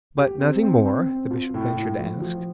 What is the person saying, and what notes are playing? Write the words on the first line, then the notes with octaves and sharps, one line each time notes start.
"But nothing more?" the Bishop ventured to ask.
G4
C4
C4
C4
C4
F4
A2
A2
F3
F3